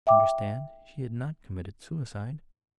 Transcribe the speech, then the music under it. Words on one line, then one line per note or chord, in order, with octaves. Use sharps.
You understand she had not committed suicide.
E5 G5 D6